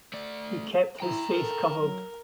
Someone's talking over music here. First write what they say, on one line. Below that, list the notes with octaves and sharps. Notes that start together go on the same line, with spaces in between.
He kept his face covered.
A3 D5
E4 G5 A#5
A4 A#4
F#3